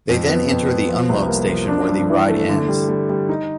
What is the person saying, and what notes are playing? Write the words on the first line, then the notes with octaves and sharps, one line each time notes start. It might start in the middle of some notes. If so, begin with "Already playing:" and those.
They then enter the unload station where the ride ends.
F2
B3
F2
B3
F3
C2
A#3
F3
D4
G2
E3
A3
D3
G3
G3
G3
D#4